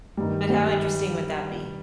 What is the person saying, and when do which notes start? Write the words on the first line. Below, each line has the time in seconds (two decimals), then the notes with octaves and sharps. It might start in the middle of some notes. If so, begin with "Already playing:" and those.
But how interesting would that be?
0.17 G2 D#3 G3
0.49 G3